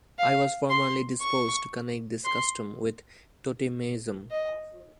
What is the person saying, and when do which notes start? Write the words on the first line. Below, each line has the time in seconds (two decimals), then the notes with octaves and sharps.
I was formerly disposed to connect this custom with totemism.
0.19 F5
0.70 C6
1.21 C#6
2.25 C6
4.31 D#5